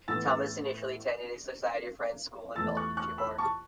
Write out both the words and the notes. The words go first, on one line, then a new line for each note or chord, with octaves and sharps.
Thomas initially attended a Society of Friends school in Baltimore.
A2 E3 B3 E6 A6
E2 E3 A3 E6 A6
C#6 F#6
C#6 F#6
B5 E6
A5 C#6